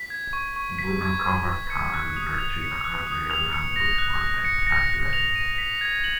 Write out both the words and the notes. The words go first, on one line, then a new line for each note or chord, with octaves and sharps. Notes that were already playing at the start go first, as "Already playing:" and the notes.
Burbank covered Callahan's retreat across the Rio Grande with Fort Duncan artillery.
Already playing: B6
G#6
C#6
C#6
B6
G#6
C#6
C#6
C#7
F#6
D#6
F7
C#7
F#6
D#6
F7
C#7
A#6
F#6
F7
C#7
A#6
F#6
F7
D#7
B6
G#6
F#7